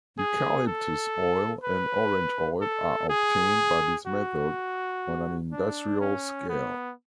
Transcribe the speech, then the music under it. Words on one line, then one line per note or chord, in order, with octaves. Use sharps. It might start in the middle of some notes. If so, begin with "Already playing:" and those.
Eucalyptus oil and orange oil are obtained by this method on an industrial scale.
G#4
A4
B4
A4
G#4
F#4
D4
C#4
B3